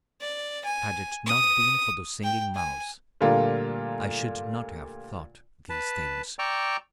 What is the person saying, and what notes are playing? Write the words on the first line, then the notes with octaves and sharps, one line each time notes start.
Had it not been for the Singing Mouse I should not have thought these things.
D5
G#5
D#6
G5
G#5
A#2 D3 G3 A3 F4 A#4
B4 A5
D5 G5 A#5 C#6 D6 E6